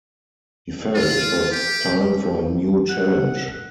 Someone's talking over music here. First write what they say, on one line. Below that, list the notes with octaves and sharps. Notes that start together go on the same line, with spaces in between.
He felt it was time for a new challenge.
F4
G4
F#5